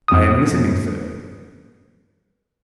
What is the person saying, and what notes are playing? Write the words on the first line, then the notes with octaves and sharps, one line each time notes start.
"I am listening, sir."
F2 D#6